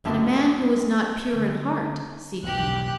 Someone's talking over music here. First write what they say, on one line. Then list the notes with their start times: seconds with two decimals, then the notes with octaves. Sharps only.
"Can a man who is not pure in heart seek God?"
0.05 C#2 F#2 D3 E5 A5
1.34 D3 A3
2.43 E1 B1 G2 G4 F#6